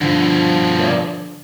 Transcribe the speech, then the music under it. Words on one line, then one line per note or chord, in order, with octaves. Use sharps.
you know?
G2 B2 D3 F3